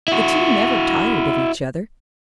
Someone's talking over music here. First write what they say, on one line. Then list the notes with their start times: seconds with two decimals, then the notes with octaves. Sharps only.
The two never tired of each other.
0.08 E4 F#4